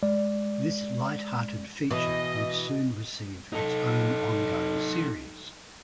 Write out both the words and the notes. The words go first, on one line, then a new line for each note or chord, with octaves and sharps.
This lighthearted feature would soon receive its own ongoing series.
G#3 D5
B2 E3 D#5
D#4 A4